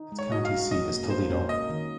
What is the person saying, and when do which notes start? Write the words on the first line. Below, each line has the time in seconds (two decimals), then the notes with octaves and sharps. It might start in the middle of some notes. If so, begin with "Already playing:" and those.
Its county seat is Toledo.
Already playing: D#4
0.12 G#3
0.19 C#5
0.32 F#4 D#5
0.45 F5
0.51 F#4
0.71 C#4 D#5
0.91 A#3
1.10 A#3 C5
1.30 C#4
1.49 A#3 D#5
1.70 D#3